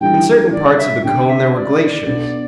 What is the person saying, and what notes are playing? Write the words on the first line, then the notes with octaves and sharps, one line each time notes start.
In certain parts of the cone there were glaciers.
E3 G3 D4 G4 G5
D5
E5
D3 B3 D4 G4 G5
E5
D5
B2 B3 D4 A4